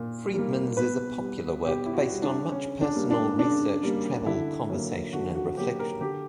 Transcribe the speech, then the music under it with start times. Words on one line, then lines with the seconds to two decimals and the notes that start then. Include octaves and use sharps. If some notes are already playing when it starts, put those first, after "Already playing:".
Friedman's is a popular work based on much personal research, travel, conversation, and reflection.
Already playing: A#2 A#3
0.34 G3 A#3
0.77 B2 B4
1.21 G3 B3
1.65 B2 G4
1.86 E4
1.93 F#4
2.08 G3 B3
2.22 D4
2.52 C#3 C#4
2.81 D4
2.95 G3 A#3
3.11 D4
3.38 C#3 D4
3.83 G3 A#3
4.26 D3 E4
4.70 F#3 A#3
5.13 D3 F#4
5.35 F#4
5.57 F#3 A#3 G4
5.79 A#4
6.01 D3 G4